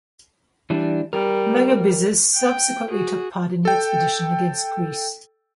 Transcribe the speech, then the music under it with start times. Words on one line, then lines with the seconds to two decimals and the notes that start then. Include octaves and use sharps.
Megabyzus subsequently took part in the expedition against Greece.
0.70 E3 G3 D4
1.13 G3 A#4
2.36 G5
2.90 F#4 G#4
3.65 A4 G5